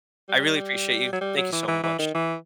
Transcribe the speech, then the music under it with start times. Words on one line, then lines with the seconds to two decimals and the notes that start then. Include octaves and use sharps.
I really appreciate you, thank you so much.
0.29 G3
1.13 F#3
1.21 G3
1.37 F#3
1.53 E3
1.68 E3
1.84 E3
1.99 D#3
2.15 E3